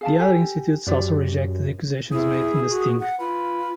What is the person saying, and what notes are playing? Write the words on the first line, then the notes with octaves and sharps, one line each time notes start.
The other institutes also rejected the accusations made in the sting.
G#4 F5 A5
G4 A4 G#5
F#2 G4 D5
E4 G#4
F#4
F#5
F4 B4